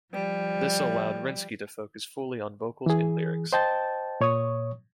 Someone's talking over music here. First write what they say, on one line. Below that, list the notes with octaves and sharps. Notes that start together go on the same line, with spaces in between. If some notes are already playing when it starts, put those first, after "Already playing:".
This allowed Renkse to focus fully on vocals and lyrics.
F3 G3
E3 G#4
C5 D#5 G5 A5 G6 A6
A#2 C#5 C#6 D#6